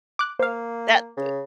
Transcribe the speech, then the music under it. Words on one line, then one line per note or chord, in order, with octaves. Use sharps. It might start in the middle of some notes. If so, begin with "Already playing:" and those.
That, uh,
D6 F#6
A#3 C5 F5
C#3